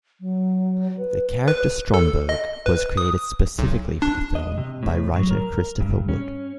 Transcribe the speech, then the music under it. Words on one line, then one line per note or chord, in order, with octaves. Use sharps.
The character Stromberg was created specifically for the film by writer Christopher Wood.
F#3
B4
B4
A4
D#5
B4
D#6
B1
D4
D#5
C3
A2
F#3
A#4
G2
C#4